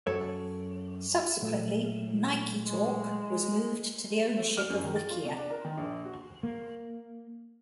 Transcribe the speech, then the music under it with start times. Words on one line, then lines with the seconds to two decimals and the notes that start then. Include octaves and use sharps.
Subsequently NikeTalk was moved to the ownership of Wikia.
0.07 F#2 A4 C#5
1.42 A#2 F#3 A3
2.59 G#3
4.37 A3
4.57 F6
4.70 F#2
4.84 D#3
4.96 A6
5.11 F4
5.25 C3
5.38 D4
5.50 A#4
5.65 D#3
5.77 A#1
6.05 F#4
6.43 A#3